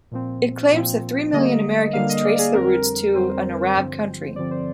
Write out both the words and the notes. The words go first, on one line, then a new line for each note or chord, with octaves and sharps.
It claims that three million Americans trace their roots to an Arab country.
A#2 F3 C4
A#2 F3 C4
D3 G3 A#3 D#5
D3 G3 A#3 F5
D#5
D5
G#4
F2 D3 G3 C4 A#4
F2 D3 G3 C4 C5
G2 D3 F3 C4
G2 D3 F3 C4 D5
C5